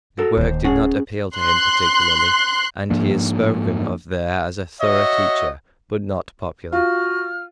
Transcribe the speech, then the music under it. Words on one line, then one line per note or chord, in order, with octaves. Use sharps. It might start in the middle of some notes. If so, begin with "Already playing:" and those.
The work did not appeal to him particularly and he is spoken of there as a thorough teacher, but not popular.
F#4 A4 A#4
D1 D#2 C5
C#4 G#4 F#5
C6 F#6
G#2 F3 A#3 D4
F#4 C#5 D#5 E5
F4 F#4 F6